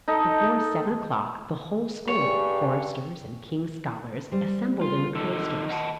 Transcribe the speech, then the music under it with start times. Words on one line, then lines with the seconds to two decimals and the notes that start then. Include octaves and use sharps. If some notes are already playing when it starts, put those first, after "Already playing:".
Before seven o'clock, the whole school, choristers and king's scholars, assembled in the cloisters.
0.08 D#4 A4 D#5
2.08 G2 G3 G#4 C#5
4.31 G3 C5
4.81 F4
5.15 D#3 A4
5.69 D#5 F#5 A5